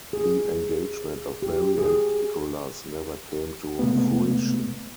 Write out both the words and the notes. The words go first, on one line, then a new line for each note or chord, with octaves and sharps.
The engagement of Mary and Nicholas never came to fruition.
G#4
G4
G#4
C3 G#3 A3 B3